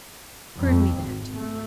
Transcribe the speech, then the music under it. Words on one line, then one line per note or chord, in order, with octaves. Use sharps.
"Prove me that."
F2
G#1
A3